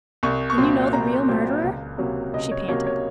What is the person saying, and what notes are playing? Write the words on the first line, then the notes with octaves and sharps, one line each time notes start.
"Then you know the real murderer?" she panted.
C2 C#6
C#6
A#2 F#3 C4 C6
C2 A#5
A#2 F#3 C4
C#2
C3 F#3 A#3 C#4
C#2 D#5
C#5
C3 F#3 A#3 C#4 C#5
C#5